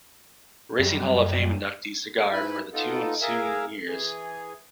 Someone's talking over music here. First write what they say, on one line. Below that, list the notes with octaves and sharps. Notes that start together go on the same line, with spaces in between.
Racing Hall of Fame inductee Cigar for the two ensuing years.
F#2 G3
G#2 E4 B4 B5
B3 D#4 F4 A4
G#4 A#4 E5 F5
E3 G#4